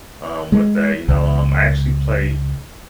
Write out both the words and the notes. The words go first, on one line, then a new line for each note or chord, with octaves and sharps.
um, with that, you know, um, I actually play,
G#3
C#2